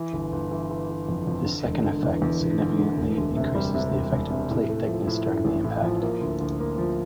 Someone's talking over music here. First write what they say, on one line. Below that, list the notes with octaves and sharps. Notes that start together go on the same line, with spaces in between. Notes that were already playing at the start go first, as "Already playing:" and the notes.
This second effect significantly increases the effective plate thickness during the impact.
Already playing: E3
G1
G1
E3
E3
E3
F2
F2
D3
E1
D3
E2
E2
E1
D3
D3
E1
D2
C3
G3
C3
E1
E1
C3
A2
A3
F3
A2
A2
A1
A2
F3
A#3
D2
D2
A#3
F3